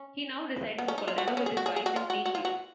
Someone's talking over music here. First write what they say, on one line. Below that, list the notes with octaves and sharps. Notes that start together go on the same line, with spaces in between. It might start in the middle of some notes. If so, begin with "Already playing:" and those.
He now resides in Colorado with his wife and three children.
Already playing: C#4
B3
C#4
D#4
F4
F#4
B3
C#4
G#4
F#4
G#4
G#4
F#4
F4
F#4
F#4
F4
F#4